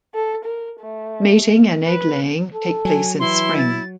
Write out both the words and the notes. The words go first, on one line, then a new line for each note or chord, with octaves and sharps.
Mating and egg laying take place in spring.
A4
A#4
A3
B4
A4
F#3 G#5
E3 E4 C6
A6